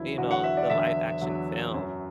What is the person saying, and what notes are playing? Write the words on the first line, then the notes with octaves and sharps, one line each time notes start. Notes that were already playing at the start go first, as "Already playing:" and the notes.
you know, the live action film.
Already playing: E2 D3 F#3 E4
E2 D3 F#3 F#4
F#5
E5
D5
E2 D3 F#3 E5
E2 D3 F#3
F#2 F#3